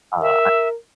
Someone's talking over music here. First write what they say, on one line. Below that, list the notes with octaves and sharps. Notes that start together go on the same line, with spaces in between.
Uh, I
A#4 E5